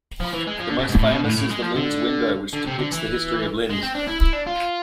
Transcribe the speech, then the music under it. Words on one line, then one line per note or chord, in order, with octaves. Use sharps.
The most famous is the Linz Window, which depicts the history of Linz.
F3
E3
G#3
F3
D3
B2
G#2
A2
B2
A2
A2
G#3
F3
D3
D3
C3
D3
E3
G#3
C4
D4
E4
E4
D4
F4